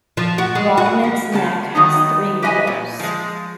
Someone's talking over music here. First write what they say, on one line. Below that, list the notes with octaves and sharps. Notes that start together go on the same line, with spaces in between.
Rodman's Neck has three meadows.
F3
F#4
G#3
F#4
F3
E2 C#3 D4 A5
D#3 F#3 A3 B3 D#4
G4 B4 C#5 D#5 G5 G#5
A#2
F3 G#3